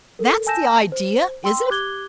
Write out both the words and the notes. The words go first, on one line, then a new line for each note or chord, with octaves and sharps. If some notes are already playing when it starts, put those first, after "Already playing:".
That's the idea, is it?
A4 A#4
G#5 A5 E6 G6 A#6 E7
C5
G5 C6 E6
G4 D6 F#6 G#6 G7